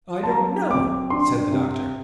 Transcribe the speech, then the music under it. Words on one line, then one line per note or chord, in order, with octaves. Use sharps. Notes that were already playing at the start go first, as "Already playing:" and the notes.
"I don't know," said the doctor.
A5
F#3 A#5
C4 D6
D4 C6
C3